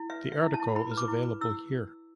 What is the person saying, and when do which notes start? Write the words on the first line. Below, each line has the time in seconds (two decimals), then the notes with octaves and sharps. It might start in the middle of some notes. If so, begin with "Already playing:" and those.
The article is available here.
Already playing: E4
0.10 B4 E5
0.26 B4
0.32 E5
0.42 E4
0.54 A5
0.60 E4
0.75 E4 B5
0.91 B4
0.97 D6
1.08 E4
1.25 B4
1.41 E4 E6